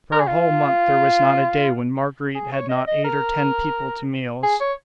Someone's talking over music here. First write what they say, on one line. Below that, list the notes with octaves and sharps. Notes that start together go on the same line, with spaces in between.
For a whole month there was not a day when Marguerite had not eight or ten people to meals.
A#4
G#4
F4
G#4
C#5
D#5
D#5
A#4
G#4
C#5